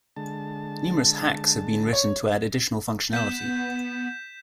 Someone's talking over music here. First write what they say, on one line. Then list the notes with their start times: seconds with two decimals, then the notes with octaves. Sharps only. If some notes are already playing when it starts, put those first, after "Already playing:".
Numerous "hacks" have been written to add additional functionality.
0.16 D3 G#3 A5
1.93 C#5
3.13 B3 G6 B6 E7